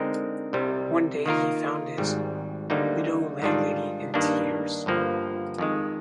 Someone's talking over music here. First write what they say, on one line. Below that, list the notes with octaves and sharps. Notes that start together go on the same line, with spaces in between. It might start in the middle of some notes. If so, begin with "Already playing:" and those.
One day he found his widow-landlady in tears.
Already playing: D3 G#3 C4 D#4 A#4
C2 C3 G3
D#3 A#3 F4 A#4
G#1 G#2 G3
D2 D3 G3 A#3 D#4
G#2 D#3 G3 D4 F4
G2 D#3 A#3 D4
G1 G2 F3 A#3
F2 D#3 G#3